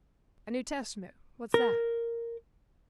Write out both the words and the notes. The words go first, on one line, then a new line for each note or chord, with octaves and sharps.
"A New Testament; what's that?"
A#4